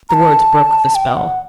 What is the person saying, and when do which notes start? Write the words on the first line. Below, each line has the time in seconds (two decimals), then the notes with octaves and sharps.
The words broke the spell.
0.09 A#5
0.14 A5
0.95 G5
1.17 F#5